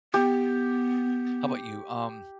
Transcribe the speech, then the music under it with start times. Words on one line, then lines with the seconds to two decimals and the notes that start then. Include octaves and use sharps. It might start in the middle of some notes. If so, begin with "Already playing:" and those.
how 'bout you, um,
0.14 B3 G4